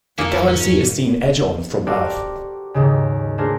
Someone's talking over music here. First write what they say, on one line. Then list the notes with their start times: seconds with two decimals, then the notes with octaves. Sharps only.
The galaxy is seen edge-on from Earth.
0.18 F2 A#3 E4 G#4 A4
0.48 E2 G#2 F3 C#4
1.87 F#4 G4 A4 A#4 C5 D5
2.74 D#2 G#2 C#3
3.38 A3 D4 F4 G#4 A#4 C5